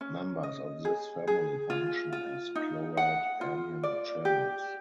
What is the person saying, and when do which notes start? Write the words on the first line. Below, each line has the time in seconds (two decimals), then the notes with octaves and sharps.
Members of this family function as chloride anion channels.
0.01 C#4
0.43 D#5
0.85 G#4
1.27 G#4
1.70 F4
2.12 F4
2.55 D#4
2.97 F#5
3.41 F4
3.83 D5
4.25 G4